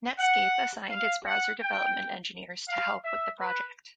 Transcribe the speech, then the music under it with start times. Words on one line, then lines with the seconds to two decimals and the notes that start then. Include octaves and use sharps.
Netscape assigned its browser development engineers to help with the project.
0.19 F#5
0.90 F5
1.26 F#5
1.62 G5
2.69 F5
3.04 E5
3.40 B4